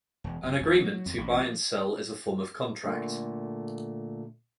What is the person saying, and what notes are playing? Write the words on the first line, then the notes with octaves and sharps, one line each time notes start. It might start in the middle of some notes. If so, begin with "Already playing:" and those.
An agreement to buy and sell is a form of contract.
E1
F#1
E1
F#3
F2
A1
F3
A#2 D3 A3